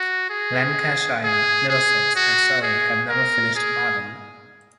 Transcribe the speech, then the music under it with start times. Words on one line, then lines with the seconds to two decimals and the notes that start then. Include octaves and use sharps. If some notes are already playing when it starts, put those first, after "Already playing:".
Lancashire, Middlesex, and Surrey have never finished bottom.
Already playing: F#4
0.30 G#4
1.24 G#4
1.70 G#4
2.16 F#4
2.62 G#4
3.09 A#4
3.56 G#4